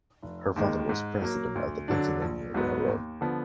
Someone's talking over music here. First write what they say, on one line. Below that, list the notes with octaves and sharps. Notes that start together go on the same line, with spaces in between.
Her father was president of the Pennsylvania Railroad.
F1
D#2 D#3 G#3
G#2
F#3 A#3
D2
D3 F#3 D4
A#1
G#2 F#3 B3
D#2
D3 F3 B3